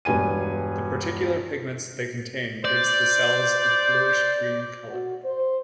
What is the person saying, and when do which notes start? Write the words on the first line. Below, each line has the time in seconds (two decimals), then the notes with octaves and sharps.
The particular pigments they contain gives the cells a bluish-green color.
0.05 E1 G2 B4 G#5 D#7
2.65 C5 D5
4.89 F#4
5.25 C5